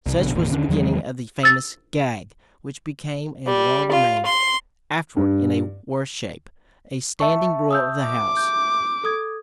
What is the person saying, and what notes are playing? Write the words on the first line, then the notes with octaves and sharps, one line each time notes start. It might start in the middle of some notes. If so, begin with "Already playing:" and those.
Such was the beginning of the famous "gag" which became and long remained--afterward in a worse shape--a standing rule of the House.
C2
A#1 B2 D3
G#1 E2 A#2
D#2 D3 C#4 D4
E2 D#3 F#3 G#3
E6 A6
G3
F4
C6
G2
E5 A5 C#6
D#6 E6 G6
D6
G6
A4 D#6 G#6